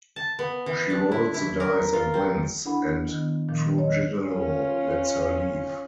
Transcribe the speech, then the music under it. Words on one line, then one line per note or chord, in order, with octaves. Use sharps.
She rolls the dice and wins, and Trujillo lets her leave.
A5
B3
E3
D4
E4
E4
A#4
F4
C4
D4 E4 A4 F#5 B5
D#3 B3
A#2 D#3 F3
C#5 D#5
C#4 F4